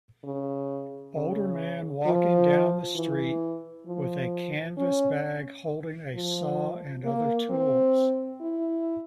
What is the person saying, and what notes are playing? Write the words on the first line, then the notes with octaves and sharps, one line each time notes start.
Older man walking down the street with a canvass bag holding a saw and other tools.
C#3
C#3
F3
E3
F3
C#4
F3
A#3
C4
E4